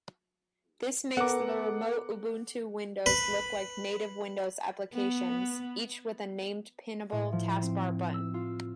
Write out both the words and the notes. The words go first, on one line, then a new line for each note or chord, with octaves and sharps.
This makes the remote Ubuntu windows look like native Windows applications, each with a named pinnable taskbar button.
B3 A4 A#4 F#5 D6
B4
B3
A2
F3
C4
E6
F4